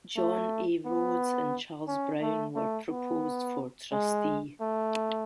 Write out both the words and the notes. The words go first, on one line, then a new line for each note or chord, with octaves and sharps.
John A. Rhodes and Charles Brown were proposed for trustee.
A3
B3
C#4
A3
A3
B3
G#3
A3